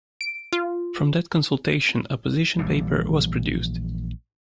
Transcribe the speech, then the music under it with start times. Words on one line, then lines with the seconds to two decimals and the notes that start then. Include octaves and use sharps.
From that consultation a position paper was produced.
0.21 D7
0.53 F4
2.59 A#1 E3 G3